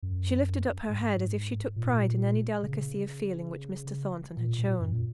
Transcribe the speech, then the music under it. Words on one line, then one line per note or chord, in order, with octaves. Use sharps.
She lifted up her head, as if she took pride in any delicacy of feeling which Mr. Thornton had shown.
F#2
G#2
A#2
C#3
A#2
A#2
F#2
A#2